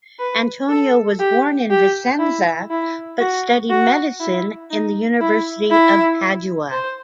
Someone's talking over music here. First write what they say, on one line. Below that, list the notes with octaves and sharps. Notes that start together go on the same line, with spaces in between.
Antonio was born in Vicenza but studied medicine in the University of Padua.
B4
A4
G4
G4
E4
E4
F#4
F#4
E4
D#4
E4
E4
C5